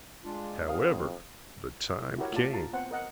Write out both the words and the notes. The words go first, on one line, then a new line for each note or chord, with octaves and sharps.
However, the time came.
G#3 D4 F4
F2 B3 F5 D#6
E4 F#4 G4 A#4 C#5
A3 F4 D5 A5
F4 A5 A#5
B3 C4 C5 F#5
A#4 D#5 F#5